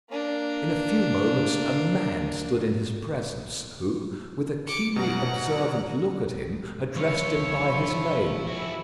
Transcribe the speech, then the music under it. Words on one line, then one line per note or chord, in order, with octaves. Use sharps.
In a few moments, a man stood in his presence, who, with a keenly observant look at him, addressed him by his name.
A#3 D4
D6 C#7
F#2 B2 F#5 A#5
E3 F3 G3 A#3 C#5 E5 B5 C#6
D#1 C2 F2
F#1 F#3
F3 E4 F#4 G#4